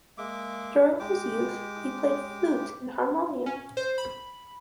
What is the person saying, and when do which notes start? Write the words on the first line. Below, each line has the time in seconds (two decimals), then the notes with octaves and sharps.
During his youth he played flute and harmonium.
0.18 G#3 A#3 E5 D6
1.00 G#3 G4 D6
3.46 C#4
3.77 C5
3.98 B5